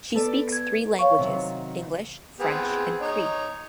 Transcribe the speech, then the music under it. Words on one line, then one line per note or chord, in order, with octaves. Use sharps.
She speaks three languages: English, French, and Cree.
B3 A4 D5
G#6
C#5 F5 C#6
C3 D#3 F#3
B3 C4 G#4
D#4 C#5